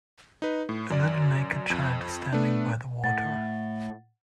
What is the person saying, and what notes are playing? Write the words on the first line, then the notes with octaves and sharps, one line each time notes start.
A little naked child is standing by the water.
D#4 B4
A2
F#2 D5
F2
A3 B3 D4
A2 F#5 A6